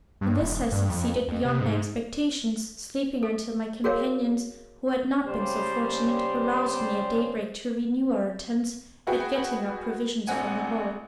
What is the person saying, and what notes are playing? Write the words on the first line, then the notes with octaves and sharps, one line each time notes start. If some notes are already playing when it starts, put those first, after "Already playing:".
In this I succeeded beyond my expectations, sleeping until my companions, who had not been so fortunate, aroused me at daybreak to renew our attempts at getting up provisions from the hull.
G2
E1
G2
F2
F2
C3
G#2
A4
F#4 G#4 A#4 C#5 F5
C#3 G3 C5
E4 F#4 G#4 B4 G5
A#1 A3 C4 F#5 G#5